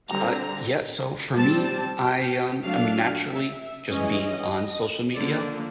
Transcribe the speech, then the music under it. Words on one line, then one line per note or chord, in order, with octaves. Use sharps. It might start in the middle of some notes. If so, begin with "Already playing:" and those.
Uh, yeah, so for me, I, um I mean, naturally, just being on social media,
D3 G3 C4 A#5
G3 C4 A5
G5
F#3 A3 D4 F5
E5
E3 G#3 C#4 D#5
D3 F3 A#3 D4 D5